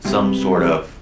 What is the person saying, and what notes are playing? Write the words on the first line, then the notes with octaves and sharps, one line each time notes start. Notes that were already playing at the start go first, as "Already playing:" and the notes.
some sort of
C3 G3 G#3 B3 C4